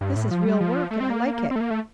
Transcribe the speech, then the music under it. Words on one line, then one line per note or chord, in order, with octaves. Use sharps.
This is real work, and I like it.
G2
A2
F3
G3
F3
A3
C4
A#3
C4
A3
A#3
A3